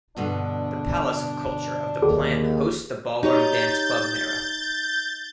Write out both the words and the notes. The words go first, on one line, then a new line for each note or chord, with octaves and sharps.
The Palace of Culture of the plant hosts the ballroom Dance Club Mara.
G2 B2 D3 D4
D#2 G#4
D#4 F#4 G4 C#5 G6 A6